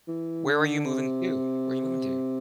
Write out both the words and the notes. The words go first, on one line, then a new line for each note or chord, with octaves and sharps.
Where are you moving to? Where you moving to?
E3
D3
C3